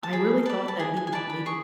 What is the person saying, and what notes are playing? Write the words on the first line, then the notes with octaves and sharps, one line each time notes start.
I really thought that he would maybe,
A5
G#4 B5
B4 D5 A5
A5
G#4 G#5
G#5
G#5
B4 D5 A5
B5
G#4 C#6